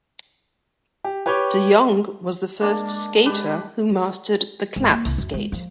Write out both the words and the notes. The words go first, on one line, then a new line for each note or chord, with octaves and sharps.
De Jong was the first skater who mastered the clap skate.
G4
G4 B4 C#5 G5 D6 G6
G#3 A#3 D4
G#3 G4 B4
G#1
A#3
C2
F#2
G#3
F3